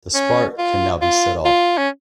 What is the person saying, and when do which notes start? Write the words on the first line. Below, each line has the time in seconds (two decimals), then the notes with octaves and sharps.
The spark can now be set off.
0.14 C#4
0.58 F4
1.02 F4
1.45 F4
1.78 C#4